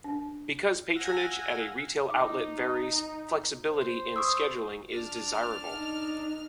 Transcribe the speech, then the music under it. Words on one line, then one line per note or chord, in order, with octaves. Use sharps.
Because patronage at a retail outlet varies, flexibility in scheduling is desirable.
D4
F5 F#5 G#5 E6 A#6
D#4 D6
C5
C#6 D#6 E6
D4 A5 F6
D#4